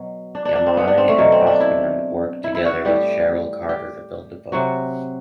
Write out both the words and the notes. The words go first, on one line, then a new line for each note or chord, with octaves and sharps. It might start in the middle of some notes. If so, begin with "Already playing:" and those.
Yamane and Bachman worked together with Cheryl Carter to build the boat.
Already playing: B2 F#3
D4
D4
D4
C4
B3
D4
C4
A3
B2 F#3
C4
D4
E4
E4
E4
F#4
A2 G3 G4
G4
C3 F#3 F#4